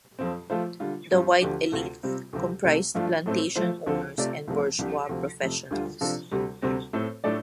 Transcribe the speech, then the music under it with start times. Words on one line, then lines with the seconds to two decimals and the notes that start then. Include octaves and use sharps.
The white elite comprised plantation owners and bourgeois professionals.
0.19 F2 F3 C4
0.50 F3 A3 F4 C5
0.80 D3 G3 F4
1.11 G2 G3 C4 F4 C5
1.41 D2 D3 F3 D4 G4
1.72 D2 C3 A3 F4
2.03 C3 G3 C4 F4
2.33 D2 C3 F3 C4 G4
2.64 C2 C3 A3
2.95 G2 F3 A3 D4 F4
3.26 A2 A3 C4
3.56 F3 A3 F4 C5
3.86 D2 D3 F3 C4 A4
4.18 C3 A3 F4 D5
4.48 C2 C3 F3 A3
4.78 C2 C3 F3 D4 G4
5.09 D2 C3 F3
5.41 F2 C3 A3
5.71 D2 D3 G3 F4
6.01 C3 F3 D4 F4 A4
6.31 D2 C3 G3
6.62 D2 C3 G3 C4
6.93 A2 A3 C4 A4 C5
7.24 A2 A3 D4 A4 D5